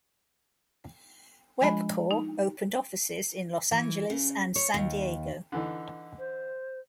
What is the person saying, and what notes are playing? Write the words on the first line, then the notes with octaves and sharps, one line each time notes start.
Webcor opened offices in Los Angeles and San Diego.
F3 G#3 D4 D#5 G#5 B5
D#4
E3
C#3
C#5
D#2
D3 E3 D#4
C5